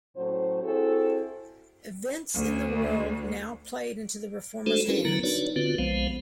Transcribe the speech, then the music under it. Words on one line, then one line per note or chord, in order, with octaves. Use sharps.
Events in the world now played into the reformers' hands.
A2 F#3 C#4 C5
C4 E4 F#4 G#4 A4
D2
G#3 A3 D4 F#4 A4 C5
C#4 E4 F#4 G#4 A#4 B4
D3 F#3 B3 E4 A#4 A#5
D4 D#4 F#4 B4 C#5 D5
D3 B3 C4 F4 F#4 B4
B1 F3 G#3 B3 C5 F5